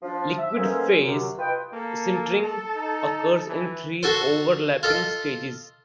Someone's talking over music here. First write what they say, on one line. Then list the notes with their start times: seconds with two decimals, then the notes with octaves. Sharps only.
Liquid phase sintering occurs in three overlapping stages.
0.02 F3 D4
0.38 E5
0.55 G#3 A#3 B3 C#4 A4 C5
1.01 F#2 C3
1.38 F4 B4 D#5 G5
1.74 A#3 A4
2.40 A4
2.76 D#4
3.48 E3
4.03 F#4 A4 C5
4.83 F4 A4 D#5